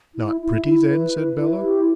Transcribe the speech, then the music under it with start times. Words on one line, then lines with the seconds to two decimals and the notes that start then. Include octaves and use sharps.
'Not pretty then?' said Bella.
0.16 E4
0.40 E4
0.65 E4
0.88 B4
1.13 E4
1.36 E4
1.60 G4